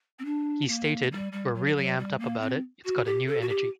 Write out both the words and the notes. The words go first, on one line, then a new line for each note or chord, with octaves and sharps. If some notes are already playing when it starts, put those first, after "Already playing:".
He stated, We're really amped-up about it, it's got a new energy.
C4
D4
A#3
G3
G3
F#3
F#3
G3
A#3
C4
F#4
G4
A4
F#4
G4